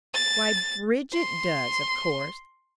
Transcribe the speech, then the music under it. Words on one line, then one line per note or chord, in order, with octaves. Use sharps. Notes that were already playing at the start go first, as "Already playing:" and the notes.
"Why, Bridget does, of course."
A6
C6